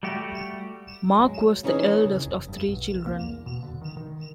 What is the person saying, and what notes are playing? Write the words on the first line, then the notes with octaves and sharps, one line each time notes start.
Mark was the eldest of three children.
G3 A3 F#4 G4
F#3 G#3
F2 E3 C#4 D#4 G4 G#4
C#3
F1
G2
B1
C2
A#3
E2
B2
D3
D#3
D#3